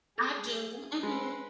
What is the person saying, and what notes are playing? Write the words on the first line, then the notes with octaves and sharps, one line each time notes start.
I do, mhm.
G#4 A4
G#3 B4